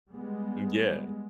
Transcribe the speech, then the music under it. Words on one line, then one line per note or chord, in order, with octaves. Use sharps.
Mm yeah.
G3 G#3 B3